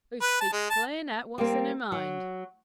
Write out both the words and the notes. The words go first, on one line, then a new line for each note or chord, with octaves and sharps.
'Hoo speaks plain out what's in her mind.
B4
A5
G#3
A5
G3 A#3 C4
F#3